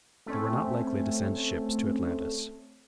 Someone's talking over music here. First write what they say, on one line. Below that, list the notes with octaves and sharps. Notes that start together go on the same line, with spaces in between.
They were not likely to send ships to Atlantis.
A3 C4 C#4